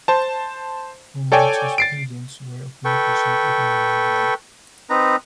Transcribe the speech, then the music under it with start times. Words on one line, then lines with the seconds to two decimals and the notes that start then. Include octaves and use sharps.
Fu Manchu's agents were omnipresent even in England.
0.08 C5 A5
1.32 A4 C#5 D5 G5 G#5
1.78 A6 C7 D7
2.85 A4 B4 G5 C#6
4.90 C4 D#4 B4 A#5